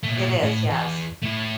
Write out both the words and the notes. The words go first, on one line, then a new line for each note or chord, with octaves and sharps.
It is, yes.
A#2 A3
A2
E2
A3 E4